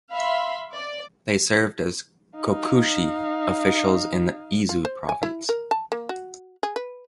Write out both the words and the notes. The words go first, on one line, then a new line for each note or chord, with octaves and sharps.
They served as "kokushi" officials in the Izu Province.
E5 F5 B5 C6
D5
D#4 F5
F4
C5
G#5
E4
A#4
A5
A#3
F#4
G#4
B4